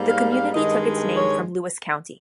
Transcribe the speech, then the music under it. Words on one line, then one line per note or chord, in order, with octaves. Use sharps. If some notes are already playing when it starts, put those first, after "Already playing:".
The community took its name from Lewis County.
Already playing: G#2 G3 A#3
F5
F5
G2 D#3 G#3 D#5
C#5